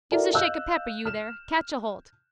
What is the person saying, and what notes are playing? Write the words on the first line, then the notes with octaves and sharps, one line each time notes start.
Give's a shake of peppe, you there. Catch aholt.
E4 F#4 A4 A#4 D5 E5
D#5 F5 E6 F#6 G6
F6 E7